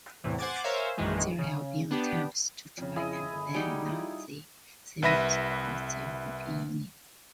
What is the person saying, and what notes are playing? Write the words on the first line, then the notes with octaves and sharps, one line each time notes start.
There have been attempts to try and ban Nazi symbols across the European Union.
E2 A2 C3 E3
C5 F#5 G#5 D6 A6
A#4 C5 C#5 E5 F5 G#5
A#1 F#2 D#3 E3 G#3
C#3
B3 D4 G4
F2 C#3
E4 G#4 D#5
G1
G3 D#4 F#4 G#4 C#7 D7
E4 F4
C2 B4 E5 B5 A#6 D#7